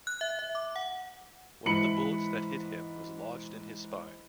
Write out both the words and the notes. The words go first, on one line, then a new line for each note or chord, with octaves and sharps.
One of the bullets that hit him was lodged in his spine.
F#6
E5
E5
D6
F#5
G#2 E3 B5 C#7 F#7